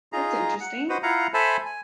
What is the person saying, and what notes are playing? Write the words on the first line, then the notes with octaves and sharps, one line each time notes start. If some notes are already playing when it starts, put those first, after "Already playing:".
That's interesting.
D#4 F4 G#4 A#5
F#5
F#4 B4 C5 D#5
E4 F4 F5 F#5 A#5
A4 C5 E5 G#5 A5 B5
G#5